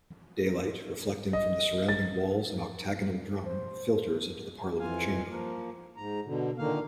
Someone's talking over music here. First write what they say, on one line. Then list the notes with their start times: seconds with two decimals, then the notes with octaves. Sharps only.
Daylight, reflecting from the surrounding walls and octagonal drum, filters into the Parliament Chamber.
1.33 D#5
1.89 A6
3.45 C5
4.80 F2 E3 F4 F5 G#5
5.28 F3 A#3
5.96 G#2 A#5
6.26 B2 D3
6.58 A#2 D3 D#3 A#3 F5